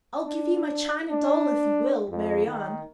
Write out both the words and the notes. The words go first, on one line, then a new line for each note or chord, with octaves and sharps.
"I'll give you my china doll if you will, Marianne."
D4
D4
F2
D#3